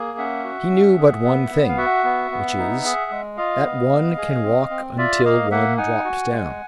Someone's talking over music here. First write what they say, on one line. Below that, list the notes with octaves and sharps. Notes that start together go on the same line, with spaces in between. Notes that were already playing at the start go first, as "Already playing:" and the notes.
He knew but one thing, which is, that one can walk until one drops down.
Already playing: A#3 G#4
C#4 E5 F#5
F#4
C#4
G#4
B3
B3
F5
F#4 E5 F#5
B3
B3
D#4
G#4
G#3
F4 D#5 F5
B3
B3
G#4
C4
C4
F4 D5 E5
A#3 D#5 F5
A#3 E5 F#5
D#4 F#5 G#5
F#4
G#3